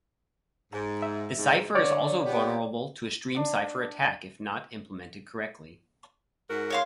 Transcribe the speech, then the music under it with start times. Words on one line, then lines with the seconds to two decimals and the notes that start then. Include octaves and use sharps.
The cipher is also vulnerable to a stream cipher attack if not implemented correctly.
0.72 G#2
1.02 E5
1.38 G#2
1.75 D3 C#5 D5
2.26 B3 G4
3.35 D4 F#5
6.49 G#2 F#4 A#4
6.70 C#5 F5 C6